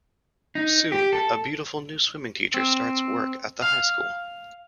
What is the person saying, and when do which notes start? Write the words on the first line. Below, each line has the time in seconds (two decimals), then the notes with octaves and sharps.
Soon, a beautiful new swimming teacher starts work at the high school.
0.55 D#4
0.92 G4
1.13 A4
2.54 C4
3.62 F5